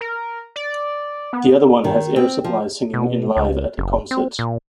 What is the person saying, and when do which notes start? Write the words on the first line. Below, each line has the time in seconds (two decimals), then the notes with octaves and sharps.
The other one has Air Supply singing in live at a concert.
0.01 A#4
0.56 D5
1.33 B3
1.84 D#3
2.16 C4
2.44 F3
2.94 B2
3.37 C#2
3.78 F#1
4.11 C4
4.39 A#2